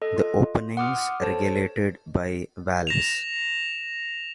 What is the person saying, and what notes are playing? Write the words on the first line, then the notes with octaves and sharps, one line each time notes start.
The openings regulated by valves.
A4 D#5
F4
F#5 C6 D6 D#6 F6
A4 C5 C#5 A5
A#6 E7 F7